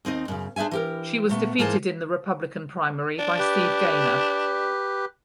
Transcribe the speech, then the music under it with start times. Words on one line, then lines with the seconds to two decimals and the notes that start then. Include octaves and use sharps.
She was defeated in the Republican primary by Steve Gaynor.
0.05 D#2 C4 D#4 D#5
0.28 F#2 C#3
0.56 D4 G#4 C5 E5 G#5
0.71 E3 G4 A#4
1.29 A#2 A3 B3
1.59 G#2 E3 A#3 G#4 C5 A5
3.19 D4
3.39 G4 B4